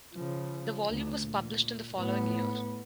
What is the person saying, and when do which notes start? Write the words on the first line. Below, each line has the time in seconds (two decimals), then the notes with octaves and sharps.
The volume was published in the following year.
0.14 C#3 F3
0.89 D2
1.24 A#2
1.96 A2 B3